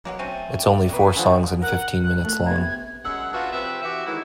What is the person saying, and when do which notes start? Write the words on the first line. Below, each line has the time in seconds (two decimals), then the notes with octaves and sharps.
It's only four songs and fifteen minutes long.
0.05 B2 F#3 G#3 A#3 F#5
0.19 A3 C4 C#4 D#7
0.59 A4 D5 G5
0.89 B2 F#3 A#3 B4
1.16 D3 F3 G3 G#4
1.62 A#4 F#5
2.03 F#6
2.24 A3
2.46 C3 B3 G#6
3.04 F#2 G#3 E5 F#5
3.33 D4 F4 F#4 B4 E5
3.52 C3 F3 C4 B4 E5
3.82 E3 F#4 G4 E5
4.06 D#3 E3 F#3 G#3 E4